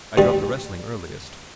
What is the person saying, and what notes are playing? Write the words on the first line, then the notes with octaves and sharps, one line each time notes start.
I dropped the wrestling earliest.
G2 G3